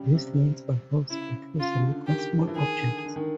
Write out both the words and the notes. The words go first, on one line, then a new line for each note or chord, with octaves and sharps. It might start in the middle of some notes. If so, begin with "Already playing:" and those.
This lens allows a closer look at small objects.
Already playing: C#3 G3
C3
C#3 E4
C#3 F4
D3
D3
D#3 G4
F3
E3
D#3 G#4
D3
D3
D#3